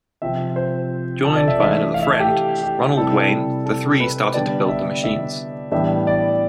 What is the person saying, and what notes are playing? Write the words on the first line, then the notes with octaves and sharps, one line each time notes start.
Joined by another friend, Ronald Wayne, the three started to build the machines.
C3 F3 C4 E5
C5
A4
D5
E5
E3 A3 D4 E5
F5
E5
A4
G4
G4
C3 G3 C4 E4 A4
A4
B4
D3 G3 B3 D4 D5
E5
E5
A2 E3 G3 B3 D4 E5
D5